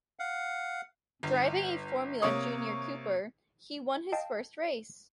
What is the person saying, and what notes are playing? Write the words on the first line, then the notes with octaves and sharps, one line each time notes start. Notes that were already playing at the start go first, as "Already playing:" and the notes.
Driving a Formula Junior Cooper, he won his first race.
F5 F#5
G1
C3 A#3 C#5 D#6
D#5 F5 G5 A5